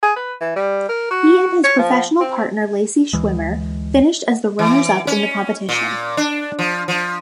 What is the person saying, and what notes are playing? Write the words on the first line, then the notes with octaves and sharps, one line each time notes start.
He and his professional partner Lacey Schwimmer finished as the runners-up in the competition.
G#4
B4
E3
G3
A#4
F#4
C#5
F3
C4
D2 E3 G#3
E3
C#4
A#2
D4
F3
F3